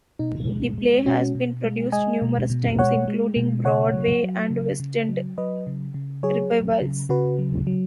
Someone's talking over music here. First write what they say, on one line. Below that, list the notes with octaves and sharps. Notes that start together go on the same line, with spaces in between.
The play has been produced numerous times, including Broadway and West End revivals.
B2 D#4
G#3
G#3
B2 C#4 F#4
B2
G#3
G#3 D#5 G#5
B2
B2
G#3 C#5 F#5
G#3
B2
C#3 C#5 F#5
F#3
F#3
C#3
C#3
F#3
F#3 B4 D#5
C#3
C#3
F#3 G#4 C#5
F#3
C#3
C#3 F#4 B4
F#3
F#3